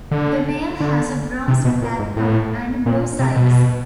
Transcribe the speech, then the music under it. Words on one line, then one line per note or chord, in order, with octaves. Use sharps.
The male has a bronze-black top and blue sides.
D3
D3
C3
B2
A#2
G#2
A2
A#2
C3
B2